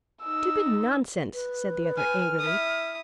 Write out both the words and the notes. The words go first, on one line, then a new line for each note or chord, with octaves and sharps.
"Stupid nonsense!" said the other angrily.
D#4 E6
B4
G#5 F6
E4 D#6